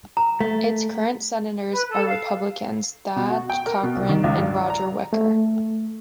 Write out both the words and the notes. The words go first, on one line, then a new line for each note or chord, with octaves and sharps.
Its current senators are Republicans Thad Cochran and Roger Wicker.
A#5
A3
B4
A4
F5
B2
F#4
G5
A#4
B2
C2
D#3
C#2
G2
A#5
A3